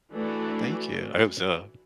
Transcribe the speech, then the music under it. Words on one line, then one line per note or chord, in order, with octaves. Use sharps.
Thank you. I hope so.
E3 A3 D4 F#4